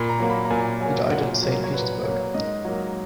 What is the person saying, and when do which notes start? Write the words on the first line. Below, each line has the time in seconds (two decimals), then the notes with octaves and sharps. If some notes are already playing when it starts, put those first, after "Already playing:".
He died at Saint Petersburg.
Already playing: A#2 B5
0.10 A#5
0.20 F#3 A#3
0.30 B5
0.45 A#5
0.50 A#2 G#5
0.81 F#3 A#3 G#5
1.11 A#2 F#5
1.43 F#3 A#3
1.64 C#5
1.73 A#2 B4
2.04 F#3 A#3 C#5
2.34 G#2 D#5
2.65 F#3 A#3